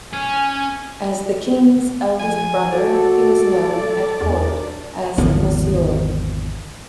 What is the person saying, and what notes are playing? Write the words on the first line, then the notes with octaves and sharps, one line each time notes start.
As the king's eldest brother he was known at court as "Monsieur".
C#4 G#5
F3 G#5
F#4 A4 D5
B1 E2 D4 A#4
G#1 E2 D3 F3